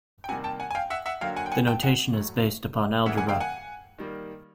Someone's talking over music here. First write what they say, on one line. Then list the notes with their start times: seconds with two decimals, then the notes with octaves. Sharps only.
The notation is based upon algebra.
0.24 G5
0.29 C3 D#3 G3 A#3 F#5 G#5
0.44 G5 A5
0.60 F#5 G#5
0.71 G#5
0.75 F5 G5
0.90 E5 F#5
1.06 E5 F#5
1.21 D3 F#3 A#3 F5 G5
1.36 F#5 G#5
1.46 G5
1.52 F#5 G#5
1.67 G5 A5
1.83 F#5 G#5
2.13 A2 F#3 A3
3.06 C#3 E3 G3 A#3 E5 F#5
3.17 F#5 G#5
3.29 F5 G5
3.40 F#5 G#5
3.98 D#3 G3 A#3